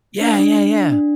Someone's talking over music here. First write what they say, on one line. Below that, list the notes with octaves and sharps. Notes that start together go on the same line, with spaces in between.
Yeah, yeah, yeah.
D4
D4
D4
D4
D4